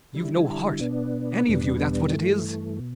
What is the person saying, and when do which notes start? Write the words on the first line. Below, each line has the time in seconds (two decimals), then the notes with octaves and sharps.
You've no heart, any of you--that's what it is?
0.14 D3 G3 E4
0.80 B2 B3 D4
1.46 E2 B2 G3 B3 D4
2.13 G2 E3 A3
2.79 B2